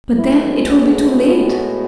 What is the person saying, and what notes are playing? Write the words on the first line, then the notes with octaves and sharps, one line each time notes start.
But then it will be too late!
A2 G#3 B3 E4
F#4
G#4
F#4
F#4